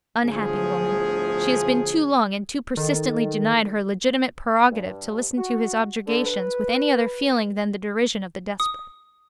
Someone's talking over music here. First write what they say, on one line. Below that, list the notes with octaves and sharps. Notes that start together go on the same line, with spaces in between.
Unhappy woman, she has been too long and too persistently denied her legitimate prerogative to listen to his objurgations with any other feeling than the derision of the desperate.
G1 D2 A2 F3 G#4
D#3 A4
G2
F#4
D3
B4
D#6